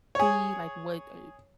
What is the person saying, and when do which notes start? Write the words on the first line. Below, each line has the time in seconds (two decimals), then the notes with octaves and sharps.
see, like, what, uh,
0.15 G#4 C#5